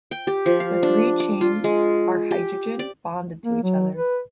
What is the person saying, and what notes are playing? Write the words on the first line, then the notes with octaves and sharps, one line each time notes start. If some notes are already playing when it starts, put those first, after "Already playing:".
The three chains are hydrogen bonded to each other.
G5
G4
F3
F5
D4
D6
F4
G#3
G4
D5
A#3
F#3
B4